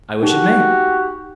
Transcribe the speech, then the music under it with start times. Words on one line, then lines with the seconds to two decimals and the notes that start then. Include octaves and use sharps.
"I wish it may."
0.23 D#4 F#4 G4